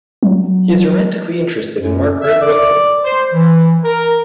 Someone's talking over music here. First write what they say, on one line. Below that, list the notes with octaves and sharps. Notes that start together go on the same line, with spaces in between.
He is romantically interested in Margaret Ruthven.
F#3
F#2
E5
D5
C5
E3
A#4